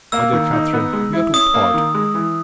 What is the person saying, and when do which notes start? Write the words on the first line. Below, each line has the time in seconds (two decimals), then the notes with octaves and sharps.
My dear Catherine, we are to part.
0.12 A#3 E6
0.33 D#3
0.53 D#4
0.73 B3
0.93 G#3
1.13 E4
1.34 C#4 D#6
1.54 A#3
1.74 D#3
1.94 G#3
2.14 E3